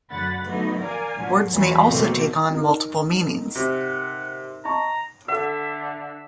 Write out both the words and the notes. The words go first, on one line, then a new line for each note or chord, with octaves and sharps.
Words may also take on multiple meanings.
F#2 D3 F#5 B5 A6
D3 F#3 A3 B3 D#4
A#4 D5 F5 G#5
A#2 D3 F#3
E2 A#2 E3 F#3 F4 B5
B2 D3 F3 A3 A#3 C4
D#4 A#4
C3 F#5
D#5 A5 A#5 C#6
D3 A4 E5 F#5